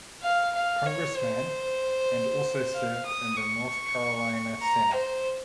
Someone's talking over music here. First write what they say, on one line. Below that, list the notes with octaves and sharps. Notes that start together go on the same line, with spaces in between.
Congressman and also served in the North Carolina Senate.
F5
F5
C#5
C5
F5
D#6
C#6
A#5
C5